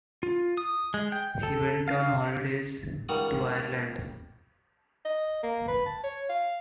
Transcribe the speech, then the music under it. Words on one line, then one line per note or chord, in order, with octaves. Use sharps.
He went on holidays to Ireland.
F4
D#6
G#3
G5
A4
F5
C#2 D#3 G3 F#4 D#6
D#5
A#3
B4
A5
C#5
F5